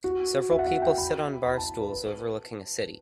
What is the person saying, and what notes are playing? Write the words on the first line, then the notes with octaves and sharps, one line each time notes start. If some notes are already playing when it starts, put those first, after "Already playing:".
Several people sit on bar stools overlooking a city.
F#4
E5
F#5
E5
G5
B5
B5
A5
B4
B4